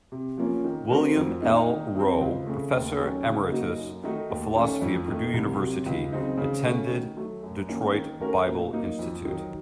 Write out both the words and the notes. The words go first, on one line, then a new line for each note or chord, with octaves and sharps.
William L. Rowe, professor emeritus of philosophy at Purdue University, attended Detroit Bible Institute.
C3
F3 A#3 C#4
D#3
A3 C4 F#4 A#4
F2
D#3 A#3 D#4
D#3
F#3 C4
C#2
C#3 A3
D#2
D#3 F#3 A3 C#4
C#3
F#3 A#3 D#4 F#4
F#2
D#3 A3 D#4 F#4
D#2
D#3 A3 C#4 A4
F2
D#3 A3
C2
C3 F#3
C#2
C#3 F#3 C4 D#4
C#3
A3 C#4 F#4
D#3
F#3 A3
F#2
D#3 A#3 C#4
D#3
A3 C#4 F#4 A#4
A#2
F#3 A#3 D#4
F2
D#3 F#3